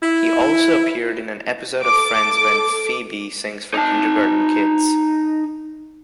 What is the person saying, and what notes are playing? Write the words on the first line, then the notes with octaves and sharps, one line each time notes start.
He also appeared in an episode of Friends when Phoebe sings for kindergarten kids.
E4
A4 D6
D#4 A5